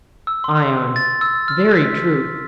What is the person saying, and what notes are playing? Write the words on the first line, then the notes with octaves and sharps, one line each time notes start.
ION: Very true.
E6
C6
A6
E6
F6
B6